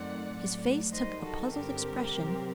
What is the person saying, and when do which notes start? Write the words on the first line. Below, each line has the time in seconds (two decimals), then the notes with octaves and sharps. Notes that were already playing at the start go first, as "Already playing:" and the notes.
His face took a puzzled expression.
Already playing: F#2 D#3 A3 C4 D5 F#5
0.31 A2 F#3 A3
0.92 F#2 D#3 G3 C5 D#5
1.22 F#4 A4
1.53 G2 D3 G3 C4 G4 A#4
2.15 C3 F#3 C4